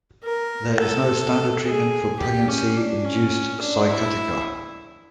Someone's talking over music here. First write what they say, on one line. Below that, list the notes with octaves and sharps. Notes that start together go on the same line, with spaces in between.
There is no standard treatment for pregnancy-induced sciatica.
A#4
A4
G#4
G4
C#4
D4
C#4
D4
E4